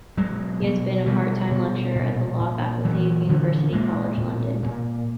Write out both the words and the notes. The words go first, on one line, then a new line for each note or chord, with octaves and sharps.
He has been a part-time lecturer at the Law Faculty of University College London.
B2 F#3 G#3
B2
B2 F3 G3
B2
A#2
A#2
A#2 E3 F#3
A#2 D3 E3
A#2 G#3 A#3
A#2
A#2